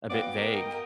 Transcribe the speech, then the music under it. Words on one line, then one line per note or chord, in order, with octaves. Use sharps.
a bit vague,
B3 F#4 F5 G5 D6
A#4 D#5